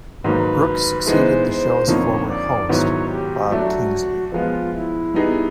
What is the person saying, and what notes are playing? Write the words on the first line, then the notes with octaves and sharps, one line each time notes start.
Brooks succeeded the show's former host, Bob Kingsley.
G#2 D#3 F#3 A#3 B4
E3 G#3 B3 D#4 C5
C5
F2 D3 F3 A#3 D#4 C#5
D5
G#2 D#3 F#3 B3 E4 C#5
G4
F#3 A3 D4 F#4
F3 G#3 B3 F4
E4
G3 B3 D#4 G#4